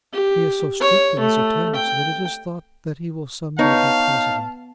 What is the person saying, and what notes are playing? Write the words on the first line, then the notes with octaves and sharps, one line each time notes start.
He is so strict in his attendance that it is thought that he will some day be president.
G4
C#5
A3
G5
B3 D#4 C#5 F5 A5